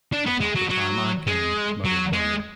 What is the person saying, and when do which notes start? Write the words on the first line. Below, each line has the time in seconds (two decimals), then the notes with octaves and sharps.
"About the time I came," muttered Bernard.
0.13 D4
0.26 B3
0.41 G#3
0.56 F#3
0.70 F#3
1.27 G#3
1.85 F#3
2.13 G#3